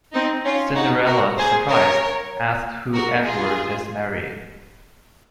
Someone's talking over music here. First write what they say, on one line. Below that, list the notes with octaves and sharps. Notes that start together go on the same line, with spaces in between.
Cinderella, surprised, asks who Edward is marrying.
C4 D#4
C#4 F4
D#4 F#4
F#4 A#4
G#4 C5
A#4 C#5
F#4 A#4
F4 G#4